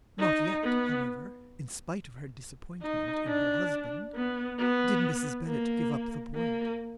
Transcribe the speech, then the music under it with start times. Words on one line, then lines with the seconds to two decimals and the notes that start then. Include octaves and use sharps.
Not yet, however, in spite of her disappointment in her husband, did Mrs. Bennet give up the point.
0.19 D#4
0.63 B3
2.82 D#4
3.27 D4
4.14 B3
4.59 B3
5.47 A#3
6.35 A#3